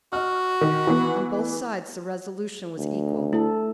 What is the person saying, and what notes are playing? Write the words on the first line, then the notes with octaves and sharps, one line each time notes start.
On both sides, the resolution was equal.
F#4 D#5 F6
D#3
E3 B3
D2
A3 E4 A4